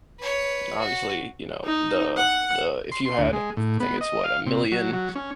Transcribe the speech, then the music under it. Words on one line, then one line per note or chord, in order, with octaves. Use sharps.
obviously, you know, the the, if you had, I think it's what, a million
B4 C#5
F#4
D#4
F#5
C6
C6
D2
G#3
A2
B3
D#5
F5
C3
F#3
F#3
C#4